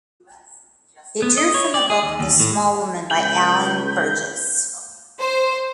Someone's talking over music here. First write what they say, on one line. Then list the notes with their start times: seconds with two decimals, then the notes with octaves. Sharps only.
It drew from the book "The Small Woman", by Alan Burgess.
1.22 B3
1.38 D#5
1.54 C#5
1.74 D5
1.90 G#4
2.03 D#2
2.20 D#2
2.40 A2
3.11 C#2 B5 G6
5.20 C5